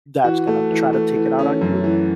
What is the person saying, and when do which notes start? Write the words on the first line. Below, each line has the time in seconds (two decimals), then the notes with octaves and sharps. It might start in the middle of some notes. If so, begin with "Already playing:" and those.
that's gonna try to take it out on you
0.24 E3 F#4
0.47 A3
0.71 E3
0.93 A3
1.16 E3
1.39 C#4
1.61 F#2
1.84 E3